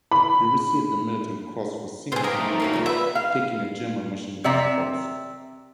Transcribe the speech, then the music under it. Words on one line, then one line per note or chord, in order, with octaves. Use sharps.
He received the Military Cross for single-handedly taking a German machine-gun post.
B5
C3 B3 C4 G#4 C5
F3 G4 A#4 D#6
A3 D#4 A#4
A#3 C#4 F#4
C#3 G3 F4
F#4 B4 E5
F5
C3 D5 E5 A#5